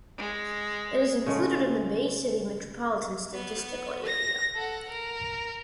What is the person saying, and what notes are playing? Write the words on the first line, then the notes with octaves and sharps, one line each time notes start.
It is included in the Bay City Metropolitan Statistical Area.
G#3
C#3 G#3 A3
B3
A#6
A4 F#5
A#4